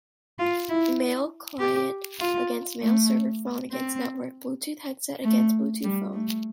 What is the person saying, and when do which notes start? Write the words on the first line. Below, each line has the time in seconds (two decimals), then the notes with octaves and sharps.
Mail-Client against Mail-server, phone against network, Bluetooth headset against Bluetooth phone.
0.39 F4
0.69 E4
1.59 G4
2.20 F4
2.81 A3
3.71 C4
5.23 A3
5.84 G3
6.13 A3